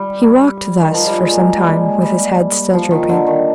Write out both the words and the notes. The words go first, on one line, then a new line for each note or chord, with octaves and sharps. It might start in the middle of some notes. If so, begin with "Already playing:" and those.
He walked thus for some time, with his head still drooping.
Already playing: G3
D#3
F3
G3
G#3
A#3
G3
G#3
G3
F3
D#3
D3
D#3